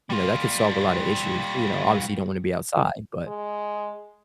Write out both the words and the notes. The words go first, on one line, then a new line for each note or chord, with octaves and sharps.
you know, that could solve a lot of issues. You know, obviously you don't wanna be outside, but,
G3 F4
G#3